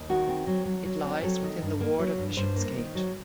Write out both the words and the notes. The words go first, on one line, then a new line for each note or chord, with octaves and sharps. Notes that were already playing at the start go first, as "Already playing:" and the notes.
It lies within the ward of Bishopsgate.
Already playing: D#2
D#3 F#4
C4
F#3
F#3
F#3
C4
F#3 A4
D#3
G2
A#3
F#3
G2
G2 C5
A#3
D#3
F#3